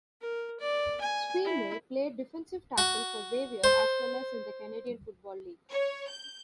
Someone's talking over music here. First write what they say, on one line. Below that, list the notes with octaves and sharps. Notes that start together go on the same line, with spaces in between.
Sweeney, played defensive tackle for Xavier as well as in the Canadian Football League.
A#4
D5
G#5
E4
F#4
C5
C#5
G6